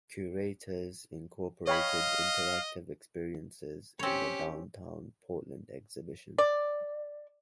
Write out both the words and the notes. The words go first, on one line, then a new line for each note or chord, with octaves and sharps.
Curators incorporated interactive experiences in the downtown Portland exhibition.
C#5 D#5 F5 G5 B5
C4 C#4 G4 C#5
D5